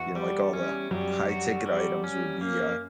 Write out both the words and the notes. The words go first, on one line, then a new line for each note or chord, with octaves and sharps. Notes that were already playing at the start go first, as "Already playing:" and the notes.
you know, like, all the high ticket items would be, uh
Already playing: E2 E3 F#4
G3
C#4
F#2 F#3 G3
F#4
G3
C#4
A#3